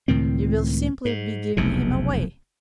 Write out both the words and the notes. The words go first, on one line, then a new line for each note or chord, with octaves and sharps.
You will simply be giving him away.
C#2 A2 D#3 C4
G#2
F1 B1 E2 C3